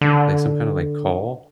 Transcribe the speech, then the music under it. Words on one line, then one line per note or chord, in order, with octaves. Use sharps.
like some kinda, like, call,
D3